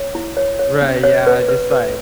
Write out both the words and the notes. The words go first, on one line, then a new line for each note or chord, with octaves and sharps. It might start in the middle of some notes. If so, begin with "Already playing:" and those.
Right, yeah, just like
Already playing: C#5
E4
C#5
C#5
C#4
C#5
B4
B4
B4